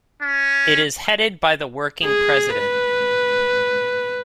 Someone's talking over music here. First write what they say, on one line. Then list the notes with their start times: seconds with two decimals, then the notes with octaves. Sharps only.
It is headed by the Working President.
0.23 C#4
2.04 G#4
2.58 B4